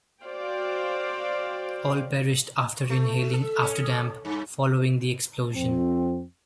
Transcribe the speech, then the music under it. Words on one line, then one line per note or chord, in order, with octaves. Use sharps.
All perished after inhaling afterdamp following the explosion.
F#4 C5 D5 F5 G5
A3
A4
C#4
G2
F2 C4